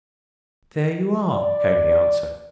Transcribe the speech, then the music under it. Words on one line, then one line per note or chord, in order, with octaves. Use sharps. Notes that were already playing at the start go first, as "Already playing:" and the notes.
"There you are," came the answer.
D5